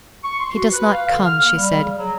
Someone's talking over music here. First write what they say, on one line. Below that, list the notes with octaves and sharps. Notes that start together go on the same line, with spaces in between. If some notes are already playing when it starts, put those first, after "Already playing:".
"He does not come," she said.
C#6
C6
F#4
B4
F5
D3
F6
A#3
G3
C#3
F#3